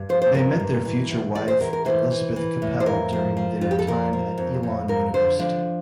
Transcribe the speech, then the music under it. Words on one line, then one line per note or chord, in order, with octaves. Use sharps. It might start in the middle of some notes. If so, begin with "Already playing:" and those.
They met their future wife Elizabeth Capel during their time at Elon University.
Already playing: G2
F3 C5
C5
G2 A#4
G2
E3
E2
E2 D5
C5
E2 A#4
A#4
E3 C5
E3
E3
A2
C5
F2 A#4
F3
F3
F2 F4
G4
A4
F3 A#4
F3
F2
F2
F2 A#4
D3 C5
F3 D4